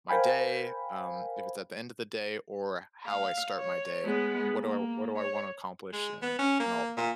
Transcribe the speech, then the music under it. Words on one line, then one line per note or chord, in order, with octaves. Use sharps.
my day, um, if it's at the end of the day, or how I start my day, and what do I what do I wanna accomplish and and all of that.
A#4 C5 F5 G5 G#5 B5
F5
C#5
G#3 B3
A#3
C#5
G#3
B3
C#4
A#3
A#2